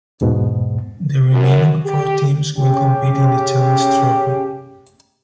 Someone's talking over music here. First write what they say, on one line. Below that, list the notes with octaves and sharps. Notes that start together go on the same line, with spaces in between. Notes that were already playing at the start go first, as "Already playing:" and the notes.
The remaining four teams will compete in the Challenge Trophy.
E2 G#2 B2
F#2
G4
C#3 C#4 G4